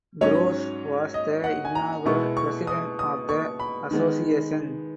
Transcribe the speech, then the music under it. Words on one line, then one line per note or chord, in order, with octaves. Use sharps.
Groves was the inaugural president of the association.
G#2 F#3 C#4 C#5
D#5
F#5
G#5
A#5
B2 G#3 B3 E4 C#6
C#6
D#6
D#6
C#6
B5
D#3 G#3 B3